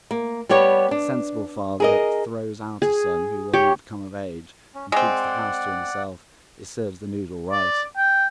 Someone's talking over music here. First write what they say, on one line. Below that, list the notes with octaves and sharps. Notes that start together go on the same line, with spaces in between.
A sensible father throws out a son who will not come of age, and keeps the house to himself; it serves the noodle right.
A#3
G3 B3 G4 C#5
D4
G#4 A#4 D#5
G#4
G4 C#5
C#4
G#3 C4 D5 F#5
D5
G5